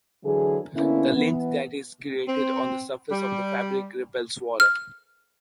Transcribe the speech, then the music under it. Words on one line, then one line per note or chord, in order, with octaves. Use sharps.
The lint that is created on the surface of the fabric repels water.
D3 E3 F#3 G#4
D3 A#3 B3 C#4 E4
E3 B3
C4
G3
F6